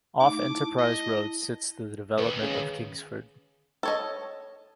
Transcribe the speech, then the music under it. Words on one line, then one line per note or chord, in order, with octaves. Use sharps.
Off Enterprise Road sits the development of Kingsford.
A3 D#4 D6
E4 A5
D#5
C#2 D#3 B4
C#3
A4 C#5 D#5